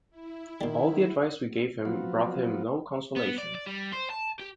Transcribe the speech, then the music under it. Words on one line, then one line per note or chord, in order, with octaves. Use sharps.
All the advice we gave him brought him no consolation.
E4
A#2 D#3 G3
F3 F#3 B3 C4 F4 F#4
B3
D5
D5
G3
C5
A5
G4